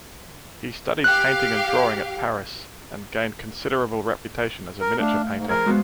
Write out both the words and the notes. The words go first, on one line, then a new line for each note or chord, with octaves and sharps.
He studied painting and drawing at Paris, and gained considerable reputation as a miniature-painter.
G4 F5 F#6
A#4
A3 D4 F5 F6
G#2
F3 G#4 A#4 C5 G#6
G#3 B3 F#4 C5 F5